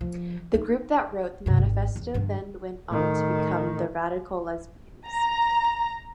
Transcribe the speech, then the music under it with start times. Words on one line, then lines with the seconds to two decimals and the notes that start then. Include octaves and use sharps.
The group that wrote the manifesto then went on to become the Radicalesbians.
0.01 F3
0.54 D#4
1.46 G2 C3
1.58 G#1
1.96 E2
2.14 G2 D3
2.88 A2 D#3
5.09 A#5